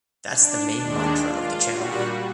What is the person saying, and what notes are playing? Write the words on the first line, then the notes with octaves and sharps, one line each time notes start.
That’s the main mantra of the channel.
D4
D#2 D#3 G#3 D4
F4
A#2 G3 F#4